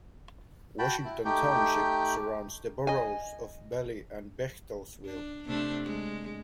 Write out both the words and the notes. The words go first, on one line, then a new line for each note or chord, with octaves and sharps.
Washington Township surrounds the boroughs of Bally and Bechtelsville.
F#4 G5 A5 B5
E4
A3 D#4 G4 G5
D#5 G#5
D4
C3 A3 D4
G#3